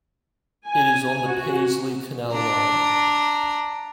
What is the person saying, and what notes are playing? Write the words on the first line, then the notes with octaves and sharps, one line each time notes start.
It is on the Paisley Canal Line.
G#5
F#4
D4 A#5